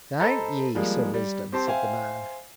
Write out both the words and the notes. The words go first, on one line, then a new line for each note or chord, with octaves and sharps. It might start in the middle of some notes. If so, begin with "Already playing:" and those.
"Thank ye, Sir Risdon," said the man.
A4 C5 D#5 A#5 B5 A6
F3 G3 G#3 A#3
G3
C4 G4 C5 A5 C6
C5 E5 F5 G5 G#5